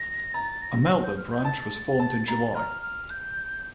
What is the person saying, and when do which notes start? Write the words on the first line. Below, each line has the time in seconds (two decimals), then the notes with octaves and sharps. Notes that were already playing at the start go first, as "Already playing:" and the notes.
A Melbourne branch was formed in July.
Already playing: A#6
0.34 A#5 A6
0.62 A#6
1.03 G6
1.17 F6
1.31 G6
1.45 A5 A6
1.99 A5
2.28 A#5
2.55 A#5 F6
2.82 F6
3.10 G6